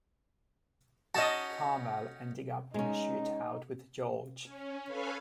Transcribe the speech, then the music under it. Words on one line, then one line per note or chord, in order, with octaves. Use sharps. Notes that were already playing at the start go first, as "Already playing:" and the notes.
Carmel, ending up in a shootout with George.
C#4 D#4 F#4 D#5 A5
G#3 C#4 D#4
C#4
A4 B4 C#5 F5 G#5 B5